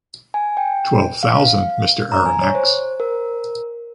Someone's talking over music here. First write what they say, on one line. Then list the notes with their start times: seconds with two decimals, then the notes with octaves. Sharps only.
Twelve thousand, Mr. Aronnax.
0.34 G#5
0.57 G5
1.23 F5
2.12 A#5
2.26 G#5
2.41 C#5
2.55 C5
3.00 A#4